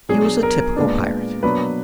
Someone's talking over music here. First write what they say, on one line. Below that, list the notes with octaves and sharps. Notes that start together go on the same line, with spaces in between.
He was a typical pirate.
B2 F#3 D4 G#4
A#4
A#2 G#3 B3 D4
B2 F#3 A#3 D4 B4